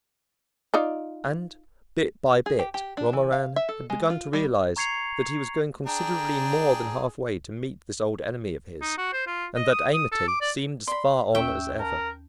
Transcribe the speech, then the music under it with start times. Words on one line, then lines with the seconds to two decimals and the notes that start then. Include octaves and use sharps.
And bit by bit, Romarin had begun to realise that he was going considerably more than halfway to meet this old enemy of his, and that amity seemed as far on as ever.
0.74 D#4 F4 D5
2.46 G#4
2.59 G4
2.74 G4
2.97 D4
3.13 E3
3.32 F5
3.56 E5
3.69 A4
3.90 G#3
4.10 F4
4.33 G3
4.76 A#5 C#6 G#6 C7 C#7 F7
5.86 D4 G#4 G5 A#5
8.81 D#4
8.98 F#4
9.13 C5
9.27 F4
9.56 D#5
9.72 D#6
9.93 D#6
10.12 A4
10.28 D6
10.41 D5
10.88 D5 B5 C6
11.35 D#2 C#4 E5 G5 C#6 E6
11.79 A#4 A5